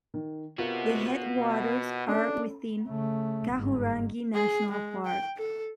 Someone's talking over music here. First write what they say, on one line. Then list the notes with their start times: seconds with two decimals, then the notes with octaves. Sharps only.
The headwaters are within Kahurangi National Park.
0.14 D#3
0.58 C3 B3 F4 F#4 A#4
1.37 B2
2.08 C#4 D4 A4
2.88 C#3 A3
3.50 G1 G#2
4.34 G#4
4.71 G#3
5.05 G5
5.37 A4